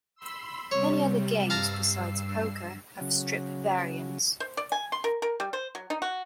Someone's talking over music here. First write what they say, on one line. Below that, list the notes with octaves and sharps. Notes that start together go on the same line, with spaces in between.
Many other games besides poker have "strip" variants.
B5 C6 E6
C3 G3 C#5
G2 F5 A5 A#5 E6 C7
C#3 F#3
C5
D5
G#5
C6
A#4
A#4
G3
C5
F#3
D#4
F#4